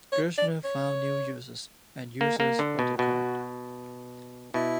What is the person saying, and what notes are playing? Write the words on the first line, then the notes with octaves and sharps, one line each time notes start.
Gerstner found new uses and users for the card.
C#5
D5
C#5
A#3
A#3
D3
B2
B2 F#4
B2 E4